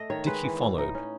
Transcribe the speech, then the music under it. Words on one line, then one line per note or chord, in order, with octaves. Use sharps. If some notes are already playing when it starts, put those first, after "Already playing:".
Dickie followed.
Already playing: A3 D#5
D#3 C#5
G#3 B4
E3
A2
D#4
C#4